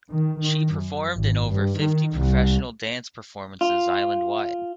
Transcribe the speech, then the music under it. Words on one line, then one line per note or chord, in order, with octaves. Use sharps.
She performed in over fifty professional dance performances island wide.
D#3
D#3
F#2
G#1
G2
D#3
C2
F4